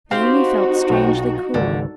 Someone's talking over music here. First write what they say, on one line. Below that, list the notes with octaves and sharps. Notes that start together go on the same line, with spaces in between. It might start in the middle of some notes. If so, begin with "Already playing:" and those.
They only felt strangely cool!
C4 D#4 F#4 G4 C5 F5
B1 C#5 G5
G#1 C#2 D3 D5